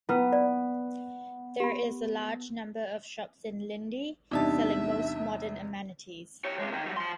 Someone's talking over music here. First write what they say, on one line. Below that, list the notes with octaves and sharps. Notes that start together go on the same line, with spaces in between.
There is a large number of shops in Lindi, selling most modern amenities.
B3 E4 B4 G5
D5
G4 B5
E2 C3 G3 D4 D#4 E5 A5
G4 C#5
C3 G#3
D#3 A#3
F#3 G3
F3 C6